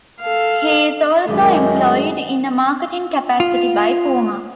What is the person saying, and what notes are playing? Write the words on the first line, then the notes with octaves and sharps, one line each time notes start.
He is also employed in a marketing capacity by Puma.
A4 F5
F#2 A2 D#3 G#3 D4 G4
F4